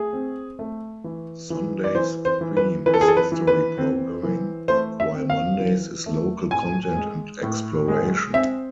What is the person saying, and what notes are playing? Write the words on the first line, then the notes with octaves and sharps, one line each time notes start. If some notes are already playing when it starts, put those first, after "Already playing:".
Sunday's theme is history programming while Mondays is local content and exploration.
Already playing: A3 G#4
C4
A3
E3
E3
D5
E3 C5
C5
E3
B4
E3 B4
A4
G#4
A4
B4
E3
B4
C4
E3
A3 C5
E5
C4
F5
E3
A3
A2 G#5
G#3
A2
G#3
C4 E5